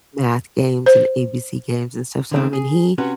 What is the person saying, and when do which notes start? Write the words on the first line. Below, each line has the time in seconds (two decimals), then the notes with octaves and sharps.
math games and ABC games and stuff. So I mean, he
0.86 C5
2.31 D3 D#3 A3 C4
2.53 G#4
2.98 C3 C#4 F#4 B4